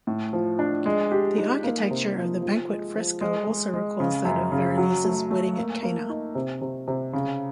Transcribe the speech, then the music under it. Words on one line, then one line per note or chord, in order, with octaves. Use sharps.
The architecture of the "Banquet" fresco also recalls that of Veronese's "Wedding at Cana".
A2
F3
D4
G#3
G4
D#4
A#3
C3
F3
F3
G#3
F3
G#3
G#3
G#3
C#3
F#2
C#3
F#3
A3
A3
A#3
A#3
D#4
C3
C3
C3
C#3